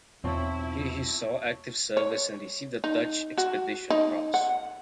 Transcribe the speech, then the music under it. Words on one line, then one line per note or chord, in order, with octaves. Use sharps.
Here he saw active service and received the Dutch Expedition Cross.
B1 E2 C4 E4 F4 C#5 A5 C#6
C#5
D#4
F#4
D#4
F#5